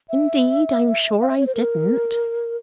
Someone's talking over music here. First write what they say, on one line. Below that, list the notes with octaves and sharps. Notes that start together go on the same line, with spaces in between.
"Indeed I'm sure I didn't."
E5
F5
E5
C#5
C5
A#4